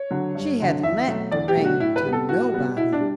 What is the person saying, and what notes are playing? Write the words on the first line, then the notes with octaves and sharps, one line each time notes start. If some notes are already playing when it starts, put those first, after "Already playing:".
She had lent the ring to nobody.
Already playing: C#5
D3 F#3
G2
D3 F#3
E2 E5
B2 F#3 A3
E2 D5
G4
B2 F#3 A3
F#4
A2 E4
B4
G3 B3
A4
A2 F#4
G3 B3
B2 E4
D4
G3